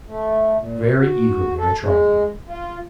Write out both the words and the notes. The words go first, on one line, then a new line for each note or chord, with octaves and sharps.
Very eagerly I tried them.
A3
A#2
F#4
A4
G#3
F4